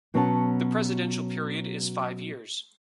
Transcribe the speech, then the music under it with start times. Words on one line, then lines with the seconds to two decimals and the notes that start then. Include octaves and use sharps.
The presidential period is five years.
0.14 B2 F#3 B3 C#4 F#5 A5